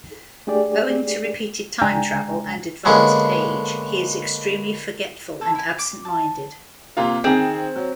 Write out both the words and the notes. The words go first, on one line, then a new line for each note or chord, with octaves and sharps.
Owing to repeated time travel and advanced age, he is extremely forgetful and absent-minded.
A3 D4 G4 G#4 D5
C#2 G#3 D4 G5 G#5 A#5
D3 G#3 A#3 B3 C#4
A4 C#5 B5
E4 G#5
D6
A5
C3 A#3 F4
D#3 C4 G#4
F#3